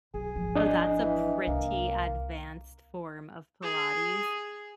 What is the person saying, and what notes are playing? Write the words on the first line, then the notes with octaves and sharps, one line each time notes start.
Oh, that's a pretty advanced form of pilates.
B1 G#4
G#1 F3
D4 D#5 G#5
E3
C2 A#3
G#4